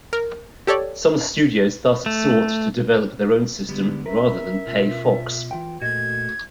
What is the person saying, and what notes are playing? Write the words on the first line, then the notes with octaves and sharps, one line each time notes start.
Some studios thus sought to develop their own system rather than pay Fox.
A#4
G4 A4 C#5 D5
A3
D3 G3 G#3 B3
C#4 A#4 B4 E5
B2 F4
E3 F4 G5
A#2 A3 F#4 D#5 G#6